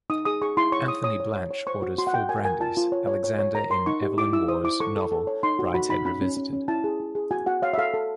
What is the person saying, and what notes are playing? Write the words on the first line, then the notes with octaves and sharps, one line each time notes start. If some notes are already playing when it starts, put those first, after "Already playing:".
Anthony Blanche orders four brandies Alexander in Evelyn Waugh's novel Brideshead Revisited.
D#4 D#6
G#4 D#6
G#4 C#6
E4 C6
C#5 C#6
C#5 D#6
C#5 D#6
C#5
C#5
C#5
C5 C#6
F#4
F#4 C6
F#5
F#4 G5
A#4 G#5
A#4 G#5
F4 A5
F4
C#5
C#5
C#5
C#5
A#4 A#5
A#4 C6
D#4 C#6
G4
E4 D6
E4 E6
C5 D#6
E4 D6
A4 C#6
A4
A4
C#5
D#4 C6
F#4
F#4 B5
D#4 B5
C#4 B5
C#4
C#4
C#4
E4 A5
G#4
E4
G#4
F#4 G#5
F#4 F#5
C#5 F5
E5
A4 F5
A4